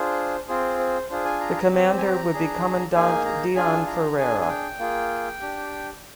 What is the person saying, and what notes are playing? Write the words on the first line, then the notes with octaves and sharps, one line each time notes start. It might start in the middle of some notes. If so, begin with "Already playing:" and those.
The commander would be Commandant Deon Ferreira.
Already playing: D4 F4 G#4 C5
C4 F4 G#4 C5
C5
D4 F4 G#4 C5
G#5
A#5
A#5
C4 G4
G#5
A#5
D4 G#4
A#3 D#4 G#4 G#5
A#5
D4 F4 G#4 G#5
A#5
D4 G#4 G#5
G#5
G5
A#3 F4 G#4
D4 G4